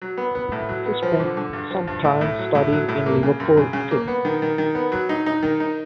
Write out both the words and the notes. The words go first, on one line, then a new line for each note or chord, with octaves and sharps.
He spent some time studying in Liverpool, England.
F#3
B3
B3
A2
F#3
B3
F3
D3
D3
G2
F3
G2
A2
A2
F#3
A2
F#3
A2
A#3
C#3
F#2
C#3
C#3
A#3
B3
D#3
D#3
D#3
B3
F#3
D#4
D#4
D#3
D#4